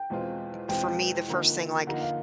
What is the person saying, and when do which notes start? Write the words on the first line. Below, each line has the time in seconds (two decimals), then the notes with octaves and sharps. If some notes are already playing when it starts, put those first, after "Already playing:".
u m for me the first thing, like,
Already playing: G5
0.10 E2 B2 G#3 C4 F4
0.68 E2 B2 G#3 C4 F4 G5
1.28 D3 F3 A#3 D#4
1.87 D3 F3 A#3 D#4 F#5
2.01 F5